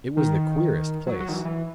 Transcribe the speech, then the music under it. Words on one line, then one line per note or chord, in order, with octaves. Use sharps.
It was the queerest place!
D#3
F#3
F#3
D#3
E3
E3